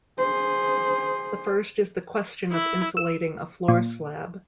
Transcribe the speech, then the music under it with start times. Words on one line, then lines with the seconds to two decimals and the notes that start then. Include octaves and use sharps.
The first is the question of insulating a floor slab.
0.18 G#4 C5
2.52 E4
2.97 E6
3.68 A#2